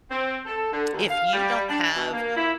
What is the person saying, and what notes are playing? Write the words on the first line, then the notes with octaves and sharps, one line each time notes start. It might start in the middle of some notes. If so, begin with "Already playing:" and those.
If you don't have
C4
A4
D3
D#2
F5
G3
D4
B2
A#3
E4